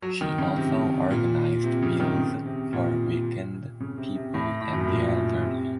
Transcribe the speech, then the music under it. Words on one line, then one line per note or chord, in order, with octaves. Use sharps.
She also organized meals for weakened people and the elderly.
F#3
D#3
C#3
C3
A#2
C3
C#3
D#3
C#3
C3
A#2
C#3
C3
C3
A2
A2
F#2
A2
A#2
C3